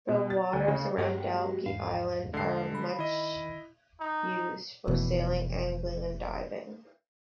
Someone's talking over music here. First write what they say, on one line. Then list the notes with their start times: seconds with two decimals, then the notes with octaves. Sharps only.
The waters around Dalkey Island are much used for sailing, angling and diving.
0.08 B2
0.30 A6
0.53 D2
0.68 C#3
0.98 G2 F#3 G#3 A#3 F#4 G4
1.66 E2 G#2 F5
2.34 D3 G#3 C7
2.75 B5
2.99 D#3 E4 D#5
4.00 D#4
4.87 F1 B2 E3